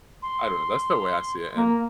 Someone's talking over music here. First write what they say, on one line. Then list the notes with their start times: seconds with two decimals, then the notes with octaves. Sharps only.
I don't know, that's the way I see it and
0.22 C6
1.56 A#3